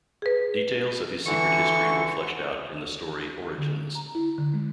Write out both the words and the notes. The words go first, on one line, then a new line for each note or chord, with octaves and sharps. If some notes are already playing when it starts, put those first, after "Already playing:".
Details of his secret history were fleshed out in the story "Origins".
G#4 B4
D3 E3 C#6
D3
A#5
E4
D3
G#3